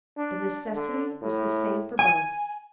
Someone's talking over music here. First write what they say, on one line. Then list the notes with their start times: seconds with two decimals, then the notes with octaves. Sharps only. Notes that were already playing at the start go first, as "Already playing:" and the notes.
The necessity was the same for both.
0.17 D4
0.74 D3
1.22 A2
1.99 G#5